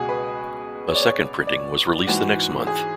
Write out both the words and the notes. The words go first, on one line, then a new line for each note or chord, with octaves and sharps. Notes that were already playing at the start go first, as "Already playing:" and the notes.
A second printing was released the next month.
Already playing: C#2 B2 F#4 G#4
B4
C#5
D5
C#5
D5
G#2 E3 F#4
G#4